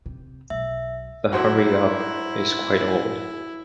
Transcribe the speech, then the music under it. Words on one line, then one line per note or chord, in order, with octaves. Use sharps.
The hurry-up is quite old.
C3
B1 E5
F#3 E4 F#4 C5